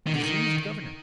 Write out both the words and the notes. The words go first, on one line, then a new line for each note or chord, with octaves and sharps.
A diseased governor?
D#3
D3
D#3